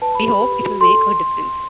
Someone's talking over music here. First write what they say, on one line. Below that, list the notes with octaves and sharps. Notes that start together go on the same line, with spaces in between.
We hope it will make a difference.
B4 A5
B5
G4
B5
B4
F#4
A4 C6